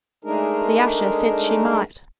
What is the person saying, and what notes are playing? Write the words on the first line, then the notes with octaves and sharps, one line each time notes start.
The usher said she might.
G#3 A3 D4 D#4 G#4 A#4